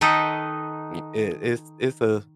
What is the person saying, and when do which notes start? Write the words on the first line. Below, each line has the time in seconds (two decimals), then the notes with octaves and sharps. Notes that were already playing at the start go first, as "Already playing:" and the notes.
m it it's it's a
0.01 D#3 D#4 A4 B4 D#5